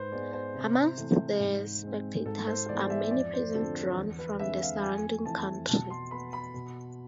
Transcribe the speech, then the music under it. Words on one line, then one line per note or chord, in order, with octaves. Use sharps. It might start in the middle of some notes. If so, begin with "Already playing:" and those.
Amongst the spectators are many peasants drawn from the surrounding country.
Already playing: G#2 B4 C5
G#3 B3 D5
C5
C3
E3 A3 C4
G#2
G#3 C4
G#2 A4
C5
E3 G#3 B3 D5
E5
F2 D5
C5
D3 F3 A3 C4 A4
A4
E2
B4
D3 G#3 C4 E5
F5
F2 G#5
E3 A3 C4 A5
B2 A5
C6
B3 B5
B5
B2